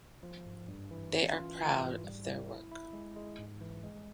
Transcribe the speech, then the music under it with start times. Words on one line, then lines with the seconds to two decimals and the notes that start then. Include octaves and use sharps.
They are proud of their work.
0.23 F3
0.46 G#2
0.68 G2
0.91 E3
1.13 C#4
1.36 F4
1.58 E3
1.81 G#2
2.04 G3
2.25 G3
2.49 E4
2.71 E4
2.93 G#3
3.16 G#3
3.38 G#2
3.61 E3
3.83 G#3